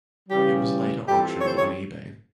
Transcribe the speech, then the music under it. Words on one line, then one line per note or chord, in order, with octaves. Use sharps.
It was later auctioned on eBay.
C#3 E3 G3 G4
E3 G3 C4 F4 G4 A4
C#5
C5
C#5